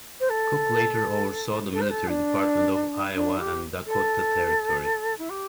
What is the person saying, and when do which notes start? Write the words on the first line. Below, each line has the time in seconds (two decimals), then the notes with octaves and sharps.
Cook later oversaw the military Department of Iowa and Dakota Territory.
0.20 C5
0.29 A4
1.72 A4
1.81 C5
1.90 A4
2.08 D4
3.15 D4
3.39 G4
3.86 A4
5.18 E4
5.29 G4